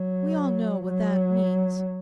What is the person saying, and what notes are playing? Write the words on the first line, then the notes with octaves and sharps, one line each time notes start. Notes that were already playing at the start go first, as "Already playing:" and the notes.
We all know what that MEANS.'
Already playing: F#3
F#3